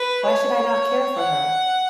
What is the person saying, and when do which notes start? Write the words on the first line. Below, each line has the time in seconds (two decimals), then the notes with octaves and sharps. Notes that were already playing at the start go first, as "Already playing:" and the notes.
Why should I not care for her?
Already playing: B4
0.24 C#5
1.17 F#5